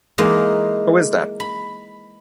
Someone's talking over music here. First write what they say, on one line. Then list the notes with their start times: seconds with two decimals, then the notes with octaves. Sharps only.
Who is that?
0.18 E3 G#3 A#3 D#4
1.40 B5